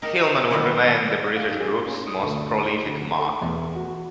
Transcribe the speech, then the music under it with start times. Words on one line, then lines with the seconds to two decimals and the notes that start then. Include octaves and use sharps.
Hillman would remain the British group's most prolific marque.
0.02 D#4 G4 A#4
0.51 D#3 F#3 G3 B3 D#4 E4
1.35 F5
1.48 D#3
1.60 G#4
1.87 C#4
2.07 D#6
2.23 D2
2.69 D#4
2.85 D2
3.19 A4
3.42 E2
3.75 F#4